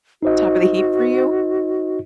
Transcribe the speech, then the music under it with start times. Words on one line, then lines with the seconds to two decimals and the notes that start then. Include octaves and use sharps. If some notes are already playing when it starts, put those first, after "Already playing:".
top of the heap for you?
0.23 D#4 F#4 C5 D#5